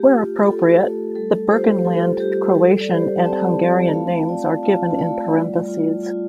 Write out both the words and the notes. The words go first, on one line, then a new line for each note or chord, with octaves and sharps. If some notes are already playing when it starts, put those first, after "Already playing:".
Where appropriate, the Burgenland Croatian and Hungarian names are given in parentheses.
Already playing: A3 G4
F4
F4 A4
A3
G3 A4
F4 G4 C5
F4 A4
G3 G4
G3 A4
D5
G3 G4 C5
A5
C4 D5 G5
F4
A3 F5 A5
F4 D5 G5
F4 F5 A5
A5
A3 D5 G5
G3
F4
F4